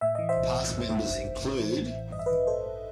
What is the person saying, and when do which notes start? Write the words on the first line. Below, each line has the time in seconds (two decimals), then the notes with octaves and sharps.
Past members include...
0.01 A2 E5
0.15 E3 D#5
0.29 C5 E5
0.37 B1
0.54 B1
0.72 F#2
0.89 D#3
1.07 G1
1.25 G1
1.42 A2
1.60 E3
1.77 A1
1.95 A1
2.12 G2 D#5
2.19 E5
2.26 D#3 B4 D#5
2.47 A1 A4 C5
2.66 A1